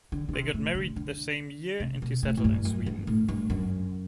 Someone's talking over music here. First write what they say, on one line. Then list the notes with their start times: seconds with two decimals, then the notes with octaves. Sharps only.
They got married the same year and he settled in Sweden.
0.12 D3
0.29 D3
0.33 C3
0.54 A2
0.75 D3
0.96 D3
1.80 C3
2.02 B2
2.23 A2
2.37 A2
2.44 G2
2.65 F#2
2.86 G2
3.07 A2
3.28 G2
3.50 F#2